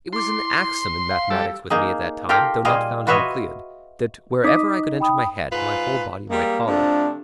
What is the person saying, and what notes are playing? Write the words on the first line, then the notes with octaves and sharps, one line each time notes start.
It was an axiom in mathematics with me at that time, though not found in Euclid, that wherever I could enter my head, my whole body might follow.
E4 C6 D6
F5
G3 A4 E6
A#3 D#4 G#4
F4 G4 A4 A#4 F5 G5
A#2 G3 F4 G#4 D#5 F5
F4 F#4 B4 C#5 D#5 E5
D#4 D#5 D6 D#6 B6
G5 B5 D#6
G#2 F4 B4
G3 G#3 A#3
C3 F3 A3 D4